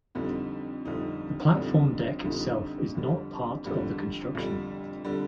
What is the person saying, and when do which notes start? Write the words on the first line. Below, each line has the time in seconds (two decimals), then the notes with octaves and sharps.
The platform deck itself is not a part of the construction.
0.15 F2 D3 G3 C4 D#4
0.85 F2 D3 G3 C4 D#4
1.54 F2 D3 G3 C4 D#4
2.25 F2 D3 G3 C4 D#4
2.95 F2 D3 G3
3.65 F2 D3 G3
4.35 F2 D3 G3
5.05 D3 G3